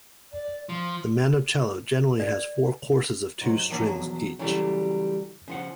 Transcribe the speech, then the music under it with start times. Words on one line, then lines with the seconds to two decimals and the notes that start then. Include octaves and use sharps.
The mandocello generally has four courses of two strings each.
0.32 D5
0.69 F3 C6
2.20 D5
3.41 G#2 F#3
3.70 B1 E2 F3 F#3 A#3 G#5
4.39 C#3 E3 F#3 G3 A3
5.48 C#3 F3 F#5